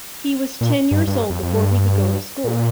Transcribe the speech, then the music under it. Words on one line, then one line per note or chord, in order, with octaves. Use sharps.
He was ten years old before he could go to school.
A#2
G2
G2
F2
F2
G2
A#2